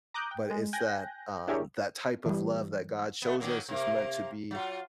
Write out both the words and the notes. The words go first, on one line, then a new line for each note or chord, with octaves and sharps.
but it's that, um that type of love that God shows us is meant to be
A#5 D6 D#6 F#6 G6
G5
G#3
G5 G#5 F#6 G6 A#6
D4 E4 G4 G#4 A#4 C#5
E3 G3
A3 B3
D#3 F#3 A#3
C3 A#3
F#3 F4